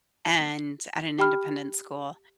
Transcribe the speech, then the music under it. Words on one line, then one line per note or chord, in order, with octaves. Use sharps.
and at an independent school,
G4 G5 B5 F6